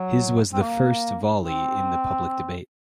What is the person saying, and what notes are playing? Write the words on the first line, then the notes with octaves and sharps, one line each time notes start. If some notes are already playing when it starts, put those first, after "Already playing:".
His was the first volley in the public debate.
Already playing: F#3
C4
A#3
C4